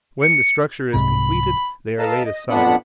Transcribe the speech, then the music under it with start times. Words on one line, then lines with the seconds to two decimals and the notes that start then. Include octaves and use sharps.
When the structure is completed, they are laid aside.
0.22 C#7
0.94 C2 G#2 C3 B5
1.99 A4 B4 D#5 F5 A5 A#5
2.25 D#5
2.49 F2 A#2 B3 D4 F#5 B5